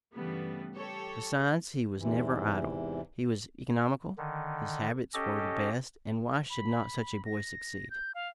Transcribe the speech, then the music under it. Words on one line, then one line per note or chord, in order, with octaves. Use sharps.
Besides, he was never idle, he was economical, his habits were the best, and why should not such a boy succeed?
G2 C#3 E3 G3 A3 B3
G4 A4 C#5
E2 G#2 C3 E3
D3 D#3
C#4 G4 A4 D#5
B5
A#6
G6
F5